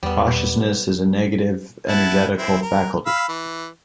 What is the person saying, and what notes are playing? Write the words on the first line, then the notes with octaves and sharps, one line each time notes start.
Cautiousness is a negative energetical faculty.
E2 G3 B3
E4 F#5 A5
C4 E4
A#4
F5 B5 E6
E3